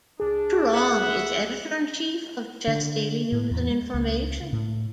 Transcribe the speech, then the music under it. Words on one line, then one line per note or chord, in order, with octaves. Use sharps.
Truong is Editor-in-Chief of "Chess Daily News and Information".
C#2 D4 G#4
E5 F#5
D3
A2
E2
G#3
C#2
A2